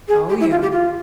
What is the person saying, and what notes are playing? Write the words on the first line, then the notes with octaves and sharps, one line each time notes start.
Oh, yeah.
G#4
G4
E4
F4
G4
F4